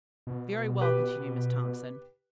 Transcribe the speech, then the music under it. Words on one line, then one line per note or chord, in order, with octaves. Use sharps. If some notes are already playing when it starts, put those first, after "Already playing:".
"Very well," continued Miss Thompson.
B2
G4 B4